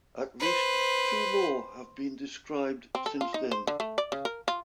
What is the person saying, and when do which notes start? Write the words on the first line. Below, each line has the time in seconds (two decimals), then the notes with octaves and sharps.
At least two more have been described since then.
0.40 B4 C5
2.95 C4
3.06 A4
3.21 F4
3.34 D#4
3.51 C5
3.67 D3
3.80 A3
3.98 D5
4.12 C#3
4.25 A#4
4.48 F4